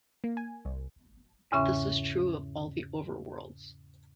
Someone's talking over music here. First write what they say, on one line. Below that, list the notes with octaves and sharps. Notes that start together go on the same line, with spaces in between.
This is true of all the overworlds.
A#3
G#5
C2
E2 G#2 C#3 C#4 E5 C#6